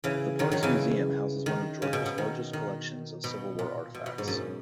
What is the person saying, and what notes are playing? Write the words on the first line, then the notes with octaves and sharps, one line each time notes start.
The park's museum houses one of Georgia's largest collections of Civil War artifacts.
C#3 E3
D#3 F#3
D#3 F#3
C#3 E3
D#3
C#3
B2
B2
D#3
D#3
B2
A#2
B2
B2
G#2
F#2